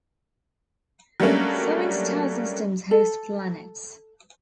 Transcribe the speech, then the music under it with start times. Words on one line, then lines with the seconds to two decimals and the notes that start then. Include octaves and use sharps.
Seven star systems host planets.
1.20 F#3 G3 A3 A#3 C#4 D4
2.91 A4